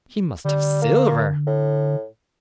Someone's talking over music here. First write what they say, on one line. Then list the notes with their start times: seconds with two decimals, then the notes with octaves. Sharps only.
He must have silver.
0.45 D3 G3
0.82 A#3
1.47 A2